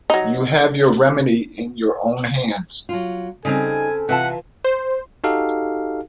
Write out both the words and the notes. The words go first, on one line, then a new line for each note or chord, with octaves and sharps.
You have your remedy in your own hands.
F#3 D#4
F#3 F4
C#3 G3 C4 D#4 G#4 A4 G#5
C3 E3 F4 E5 F#5 A5
C5
D#4 F#4 G4 A4 F5